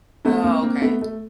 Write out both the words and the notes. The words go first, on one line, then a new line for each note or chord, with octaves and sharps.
Oh, okay.
A3 B3
A#3 C4
A#3 C4
A3 B3
A3